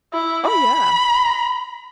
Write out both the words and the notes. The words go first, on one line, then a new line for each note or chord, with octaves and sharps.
Oh, yeah.
E4
B5